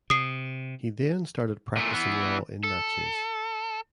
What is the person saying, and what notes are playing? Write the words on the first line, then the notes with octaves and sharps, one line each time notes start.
He then started practicing law in Natchez.
C3 D#6 C7
A#2 A3
E3 B3
A4